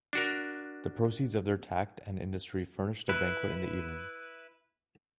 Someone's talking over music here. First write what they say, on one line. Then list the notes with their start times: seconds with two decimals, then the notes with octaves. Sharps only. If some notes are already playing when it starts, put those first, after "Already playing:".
The proceeds of their tact and industry furnished a banquet in the evening.
0.13 D4 F#4 A#4
3.09 E4 B4